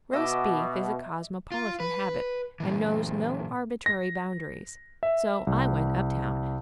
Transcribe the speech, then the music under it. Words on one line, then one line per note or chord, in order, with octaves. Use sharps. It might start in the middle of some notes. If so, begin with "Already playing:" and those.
Roast beef is a cosmopolitan habit, and knows no arbitrary boundaries; so I went uptown.
B2 D#5 E5 D6
F4
B4
A#2 E3
A#6
E5
C2